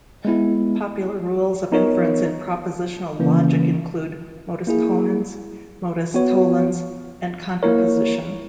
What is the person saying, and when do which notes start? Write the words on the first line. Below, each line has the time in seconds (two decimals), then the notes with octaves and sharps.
Popular rules of inference in propositional logic include "modus ponens", "modus tollens", and contraposition.
0.25 G#3 B3 E4
1.72 B3 D#4 A#4 C#5
3.19 C#3 E3 A#3 C#4
4.67 A#3 E4 G#4
6.14 B3 F#4 C#5
7.63 A#3 E4 A#4 C#5